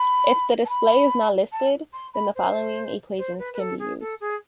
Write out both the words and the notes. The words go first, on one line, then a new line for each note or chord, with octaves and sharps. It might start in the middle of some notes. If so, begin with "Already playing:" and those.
If the display is not listed, then the following equations can be used.
Already playing: B5
A5
B5
A5
C6
B5
C5
C5
B4
B4
A4
G#4
A4
G#4